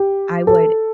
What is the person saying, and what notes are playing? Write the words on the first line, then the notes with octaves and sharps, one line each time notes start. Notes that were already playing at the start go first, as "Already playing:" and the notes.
I would
Already playing: G4
A4